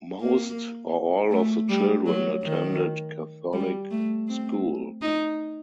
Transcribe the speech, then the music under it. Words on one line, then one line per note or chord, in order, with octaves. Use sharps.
Most, or all of the children attended Catholic school.
A#3
A3
G3
F#3
D#3
G3
A3
C4
D#4